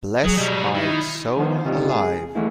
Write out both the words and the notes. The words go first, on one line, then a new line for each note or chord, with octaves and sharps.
Bless my soul alive!
F#3 G#4
B2 F#3 G3
D#3 E4
D#3 F3 B3 B4 C5
C#2 G2 C3 G3 D#4 F4
G#4
E3 A3 A#3 E4